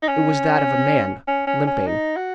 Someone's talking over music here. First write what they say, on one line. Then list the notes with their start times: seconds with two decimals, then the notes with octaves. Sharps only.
It was that of a man, limping.
0.03 D#4
0.08 C#4
1.28 C#4
1.47 C#4
1.67 C#4
1.87 D#4
2.16 F#4